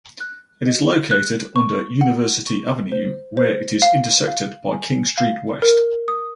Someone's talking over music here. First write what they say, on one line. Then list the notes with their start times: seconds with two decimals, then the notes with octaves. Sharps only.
It is located under University Avenue where it is intersected by King Street West.
0.20 F#6
0.66 D#5
1.11 F#6
1.56 C#6
2.01 F#5
2.47 C#6
2.92 C5
3.37 C5
3.82 F5
4.27 F5
4.73 G#5
5.18 F5
5.62 A#4
6.08 D#6